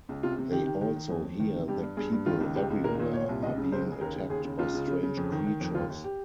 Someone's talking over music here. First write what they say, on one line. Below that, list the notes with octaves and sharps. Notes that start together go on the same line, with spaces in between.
They also hear that people everywhere are being attacked by strange creatures.
C#2
C3 F4
C3
D#3 G4
D#3
D#3
D#3
F2
F2
D#3
C3
G2 G4
G2
G2 G#4
G2
D#3 F4
C#2
C#2 G4
C#2
A#2 A#4
A#2
A#2 C#5
C2
C#2 D#5
C#3
C#2 C5
C#3
G#4
D#2 A#4
C#3
D#2 G#4
C#3
C#2 F4
C#3
C#3
C#3
F2
D#3
D#3
F2
D#2 F4
D#2
G4